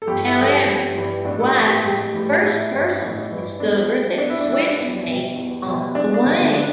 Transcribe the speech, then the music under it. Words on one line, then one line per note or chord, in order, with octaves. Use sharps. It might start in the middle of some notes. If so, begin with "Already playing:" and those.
However, White was the first person to discover that swifts mate on the wing.
A4
G1 G4
E4
G2 E3 G3 A4
G4
G1 G4
G2 E3 G3
A1 D4
A4
G4
A2 E3 G3
G4
A1 G4
A2 E3 G3
A1 E4
G2 E3 G3
A1
G2 E3 G3
E2 D4
E3 G3
E2 D4
E4
D4
E3 G3 E4
D4
E2
B2 G3
E2
B2 G3
E2 D4
D4
D3 G3
B3
D4